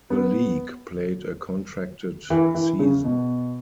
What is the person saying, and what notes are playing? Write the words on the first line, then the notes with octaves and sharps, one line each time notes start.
The league played a contracted season.
B3
E3
E3
C#3
B2